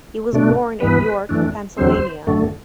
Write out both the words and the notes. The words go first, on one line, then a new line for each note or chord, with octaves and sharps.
He was born at York, Pennsylvania.
B2 A3 D4
G2 E3 B3 B4
F#2 E3 A3 D4
E2 D3 F#3 C4 C5
F#2 D3 A3